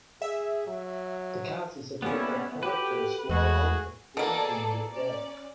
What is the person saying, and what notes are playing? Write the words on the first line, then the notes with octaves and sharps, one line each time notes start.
The cast is a group of characters who are also flirting with death.
G#4 E5
F#3
G3 A#3 B3 C#4 E4 F#5
F#4 G4 A4 B4
E2 G#3 A3 F#4 G#4
B2 A#3 G#4 A4 D5
C#4 D5